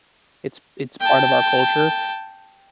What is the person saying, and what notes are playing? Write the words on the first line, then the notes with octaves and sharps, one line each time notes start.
It's it's part of our culture.
G5 A5